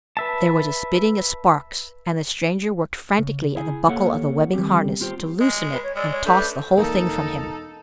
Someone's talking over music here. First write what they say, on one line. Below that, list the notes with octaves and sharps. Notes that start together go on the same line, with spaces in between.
There was a spitting of sparks and the stranger worked frantically at the buckle of the webbing harness to loosen it and toss the whole thing from him.
B4 E5 A5
C#3
E4 G#4 G#5
A#3 G4 A4 C#5 F5 F#5
D#3 G3 A3 C4 G4
B3 F4 G4 C5
G#3
B4
C#5
G#3 D5 E6
C#5
A3 D4 B4 G6
E1 A#3 D#4 A4